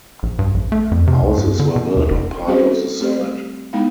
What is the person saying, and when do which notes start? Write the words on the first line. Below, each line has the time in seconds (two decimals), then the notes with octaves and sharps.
Houses were built on part of the site.
0.23 A#1
0.39 G2
0.54 A#1
0.72 A3
0.91 F2
1.07 C3
1.23 C#2
1.37 G2
1.59 D3
1.76 B2
1.97 D#2
2.10 F1
2.47 G3 C4 C#4 F#4 G#4 C5
2.71 A4
3.00 A3 C4 G4
3.19 G3
3.73 G#3 B3 D#4 E4 F5 B5